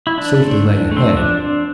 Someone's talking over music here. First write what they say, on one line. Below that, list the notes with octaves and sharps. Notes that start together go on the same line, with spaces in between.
Safety lay ahead.
E4
E3 D4
A3 C4
E3
A3
C4
F3 D4
C4